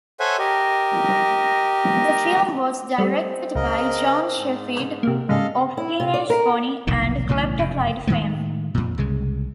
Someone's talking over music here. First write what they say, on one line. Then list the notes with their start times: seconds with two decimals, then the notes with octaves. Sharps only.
The film was directed by John Shepphird of Teenage Bonnie and Klepto Clyde fame.
0.20 A4 C5 C#5 E5 F#5 G#5
0.39 G4 A#4 D#5
2.98 G3 A3 C4
3.55 C#2 C#3 A#4 D#5
4.37 G#2
5.03 C3 A#3
5.29 G#2 C#3 G3 A4 D#5 F5
5.77 E4
6.00 C3
6.14 D5
6.30 A#4
6.87 F1 B1 A2 D#3
7.29 B1 A2 C#3 E3
7.58 F1 F#2 C#3
8.07 A2 D#3 G#3 A3
8.74 F2 A#2
8.98 C2 C#3 G#3